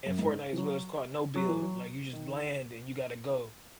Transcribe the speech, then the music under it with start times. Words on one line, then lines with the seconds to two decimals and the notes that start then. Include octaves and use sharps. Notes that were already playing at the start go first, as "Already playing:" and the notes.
in Fortnite as well, it's called "No Build," like, you just land and you gotta go.
0.06 F#2
0.19 G#2
0.53 E3
0.57 F#3
1.36 F#3
1.49 E3
1.62 F#3
2.13 D#3